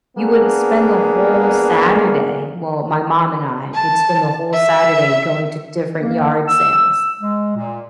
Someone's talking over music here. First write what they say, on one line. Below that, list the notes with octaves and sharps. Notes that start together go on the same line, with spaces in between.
you would spend the whole Saturday, well, my mom and I would spend the whole Saturday going to different yard sales.
A#3 B3 D4 G#4
A5
E5
A#3
E6
G#3
A#2